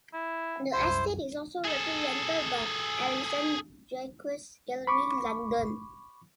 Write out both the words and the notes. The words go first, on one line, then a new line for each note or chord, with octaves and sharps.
The estate is also represented by Alison Jacques Gallery, London.
E4
C2 F#2 E4 C5
G#4 A4
B5 C#6 D6